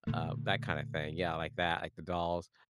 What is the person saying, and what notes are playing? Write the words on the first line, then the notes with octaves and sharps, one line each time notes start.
uh, that kinda thing. Yeah, like, that, like, the dolls,
A#2 D3 A3